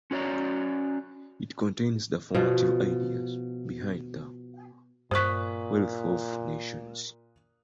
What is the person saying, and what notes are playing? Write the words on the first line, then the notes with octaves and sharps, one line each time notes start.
It contains the formative ideas behind the "The Wealth of Nations".
C#4 F#4 B4 C#5 D5 A#5
B2 F3
G2 A#2 C5 C#6 D#6 F#6 B6